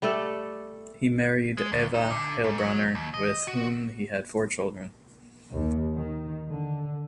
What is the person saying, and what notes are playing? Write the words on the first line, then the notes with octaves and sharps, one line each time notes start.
He married Eva Heilbronner with whom he had four children.
G3 A3 A4 D5
G#3
D2
D#4
D3
G#2
F#3
D#2
D#5
F#4
D#2
D#3
D3